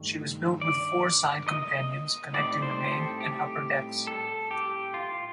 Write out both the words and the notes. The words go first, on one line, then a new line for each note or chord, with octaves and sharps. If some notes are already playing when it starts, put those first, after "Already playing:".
She was built with four side companions connecting the main and upper decks.
Already playing: G2 D#3 A3
D5
D#5
A2 G3 C4 D#4 D5
C5
G4
A4
G4
A4
G4
F4